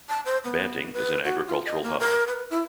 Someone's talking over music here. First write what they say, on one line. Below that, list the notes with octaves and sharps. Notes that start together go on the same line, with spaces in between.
Banting is an agricultural hub.
A5
C5
B3
B4
F#4
F4
D#5
A#3
A#4
B4
E4